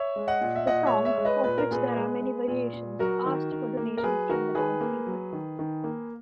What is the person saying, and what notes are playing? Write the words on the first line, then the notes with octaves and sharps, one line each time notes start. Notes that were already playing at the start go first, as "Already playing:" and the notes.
The song, of which there are many variations, asked for donations from the townspeople.
Already playing: C#5 E5
G#3
D#5 F#5
A#2
E5
A#2 D#5 F#5
C#5 E5
G#3
C#5 E5
G#3
B4 D#5
A#2 B4
A#4
A#2 G#4 B4
G#3
G#3
A#2
A#2
F#3 F#4 A#4
D#3
D#3
A#3
A#4
F#3 G#4 B4
D#3 F#4 A#4
D#3 G#4 B4
A#3
F#3
D#3
D#3
A#3